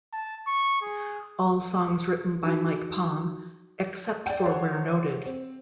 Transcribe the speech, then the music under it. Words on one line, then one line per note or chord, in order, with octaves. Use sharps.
All songs written by Mike Palm, except for where noted.
A5
C#6
G#4
D#4 F#4
D5 G5
A4 C5 C#5 F#5
C4